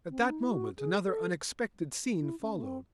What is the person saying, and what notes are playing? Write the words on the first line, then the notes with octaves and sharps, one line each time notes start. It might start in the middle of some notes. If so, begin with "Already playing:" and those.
At that moment another unexpected scene followed.
C4
C#4
D#4
E4
F#4
G#4
A4
E4
C#4
A3
C4